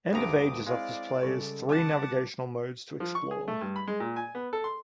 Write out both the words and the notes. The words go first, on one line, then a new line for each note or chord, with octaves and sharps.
"End of Ages" offers players three navigation modes to explore.
D2 G2 A#5 D6 D#6
G#3 C4 E4 D5 F5
C#3 G3 A4 C#6
F#5 A5 D6
F3
C#6
G#4
A3
G2
B5
G#3
A#2
G#5
B3
A4
C6